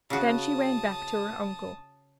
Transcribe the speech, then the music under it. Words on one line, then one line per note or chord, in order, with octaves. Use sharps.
Then she ran back to her uncle.
C#3 F#4 A5 D#6